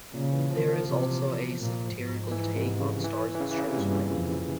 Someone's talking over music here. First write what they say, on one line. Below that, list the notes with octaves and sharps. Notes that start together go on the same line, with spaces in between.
There is also a satirical take on Stars and Stripes Forever.
A#2 C#3
E3
F3
F3
C3
A#2
G#2
E3
C3
C#3
E3
E3
C#3
E3
C#3
C3
G2 A#2
F2